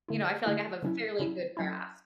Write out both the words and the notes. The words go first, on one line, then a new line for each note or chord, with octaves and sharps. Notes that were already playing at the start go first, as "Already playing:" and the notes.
you know, I feel like I have a fairly good grasp.
D3 A3 E4
D3 A3 E4
C#3 F#3 C#4 E4
C#3 F#3 C#4 E4
F#3 C#4 E4